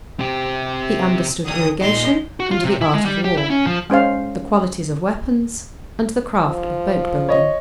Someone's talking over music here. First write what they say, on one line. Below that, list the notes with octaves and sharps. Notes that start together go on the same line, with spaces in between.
He understood irrigation and the art of war--the qualities of weapons and the craft of boat-building.
C3 G4
A2 D3 F#3 D#6
A#2 D#3 G#3 D#5 C6
F#4
F4
C3
E4
G#3
G3
G4
E4
C#4
F3
G#3 C#4 C5 F5
F3
C#5 D#5